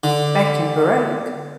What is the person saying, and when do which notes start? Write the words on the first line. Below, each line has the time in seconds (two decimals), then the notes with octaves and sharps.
Back in Baroque...
0.04 D3